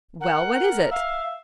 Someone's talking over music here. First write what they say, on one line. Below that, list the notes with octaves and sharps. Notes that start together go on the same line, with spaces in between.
"Well, what is it?"
A#4 F#5
E5 F5